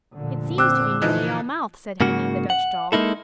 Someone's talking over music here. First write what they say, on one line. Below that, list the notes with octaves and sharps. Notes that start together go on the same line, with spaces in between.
"It seems to be nearly all mouth!" said Henny, the Dutch doll.
F1 A#2 D3
C4 D6 E6 F#6
E3 F3 D#4 F#6
G#2 C#3 A#3 F#4
F#5
G#3 A#3 D#4 E4 A4